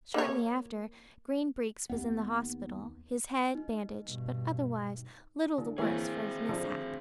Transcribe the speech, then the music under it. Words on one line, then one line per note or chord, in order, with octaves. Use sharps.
Shortly after Green Breeks was in the hospital, his head bandaged, but otherwise little the worse for his mishap.
A#3 C#5
D#2 B3
D#4
G2 B2
D3
E3 A#3 C4 G#4 C#5
D3 F3 D4